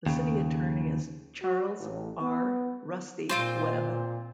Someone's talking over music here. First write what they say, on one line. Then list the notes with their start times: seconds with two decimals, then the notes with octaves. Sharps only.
The City Attorney is Charles R. "Rusty" Webb.
0.06 D#2 C#3
1.42 F#4
1.80 A1
2.22 B3
3.29 A#2 C4 F4 C5